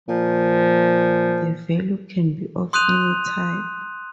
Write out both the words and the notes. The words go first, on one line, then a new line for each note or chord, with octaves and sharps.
The value can be of any type.
A#2 F3
C6 D#6 F#6 G6 D#7 F7